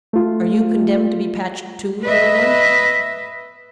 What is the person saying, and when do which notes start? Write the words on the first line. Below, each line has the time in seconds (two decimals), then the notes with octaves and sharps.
"Are you condemned to be patched, too, little one?"
0.13 A3 F4
2.03 B4 D#5 E5